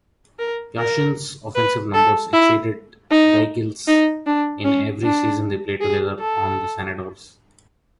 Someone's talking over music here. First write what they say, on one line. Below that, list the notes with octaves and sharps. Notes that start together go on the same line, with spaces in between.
Yashin's offensive numbers exceeded Daigle's in every season they played together on the Senators.
A#4
A#4
B4
A4
E4
D#4
D#4
D4
C#4
D4
G#4
A4